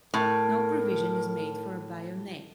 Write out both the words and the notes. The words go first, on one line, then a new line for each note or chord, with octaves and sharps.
No provision is made for a bayonet.
A2 A#4